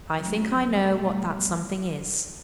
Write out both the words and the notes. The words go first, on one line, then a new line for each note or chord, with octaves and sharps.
I think I know what that something is.
F#2 F#3 A3
B2 G3 A3